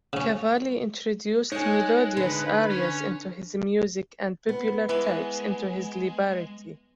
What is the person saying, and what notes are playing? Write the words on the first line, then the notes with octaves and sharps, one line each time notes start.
Cavalli introduced melodious arias into his music and popular types into his libretti.
C#3 C#4
G#3 D#4 A4 C#5 G#5 F#6
D3 B4
C#4 C#5
B3
E3 G#3 B4